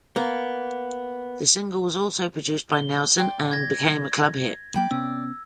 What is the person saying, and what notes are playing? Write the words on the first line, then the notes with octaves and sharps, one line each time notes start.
The single was also produced by Nelson and became a club hit.
A#3 B3
G7
D5 G5 C6
G#6 A#6
D2 F#3 A#3 D5 G5 B5
C3 B3 C#4 E6